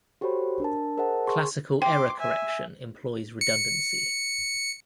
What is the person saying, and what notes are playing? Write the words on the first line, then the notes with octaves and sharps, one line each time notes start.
Classical error correction employs redundancy.
F#4 G4 A4 C5 C#5 B5
D4 A#4 A5
G#4 A#4 C5 D#5 F#5 A5
G#4 C6 C#6
G5 C6 D6
E5 G#5
C#7